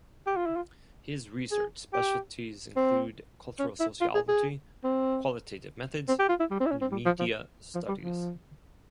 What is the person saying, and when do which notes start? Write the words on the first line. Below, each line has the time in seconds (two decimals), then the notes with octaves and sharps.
His research specialties include cultural sociology, qualitative methods and media studies.
0.27 G4
0.37 F4
0.46 E4
0.56 F4
1.51 G#4
1.93 G4
2.77 C4
3.59 C#4
3.80 E4
4.01 F4
4.15 G#4
4.29 G#4
4.84 C4
6.09 C4
6.19 G4
6.29 F4
6.40 E4
6.51 G3
6.61 C4
6.66 E4
6.71 C#4
6.82 C4
6.92 G3
7.06 F3
7.19 F3
7.75 F3
7.89 G3
8.02 F3